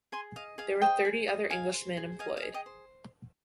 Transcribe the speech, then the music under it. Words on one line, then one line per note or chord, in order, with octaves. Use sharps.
There were thirty other Englishman employed.
G#4 G#5 C6
D#5 F5
G#4 F5
C5 D#5 G5
G#4
D#5
G#4 F5 G#5
C5
G#4
D#5 F5 G#5
F5
G#4
D#5 G5
C5